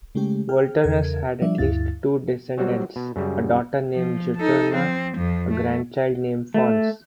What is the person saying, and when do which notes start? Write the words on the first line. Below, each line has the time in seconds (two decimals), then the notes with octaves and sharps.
Volturnus had at least two descendants, a daughter named Juturna, a grandchild named Fons.
0.15 C#3 G#3 A3 C#4 G4
0.49 G#4 G5 F6
0.84 E2 C#3 A4 A#4 G#6
1.42 F3 G3 D4 D5 E5
1.58 D2 G2 E4 F5 A6
2.58 F#3 G3 C4 F#4
2.96 B2
3.16 F#2 C#3 G3
3.95 F3
4.37 D#4 A4
4.74 F3 C4
5.15 F2 F3
5.51 A3
6.54 A3